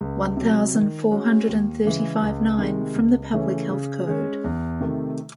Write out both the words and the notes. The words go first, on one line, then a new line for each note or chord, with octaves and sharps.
One thousand four hundred and thirty-five-nine from the Public Health Code.
C#2
C3 F#3
D#3
G#3 C#4 F#4
D#2
C#3 E3 G#3
C#2
C3 D#3 G#3
C#2
C#3 E3 A3 C#4
C#3
G#3 C#4
E2
C3 D#3 A3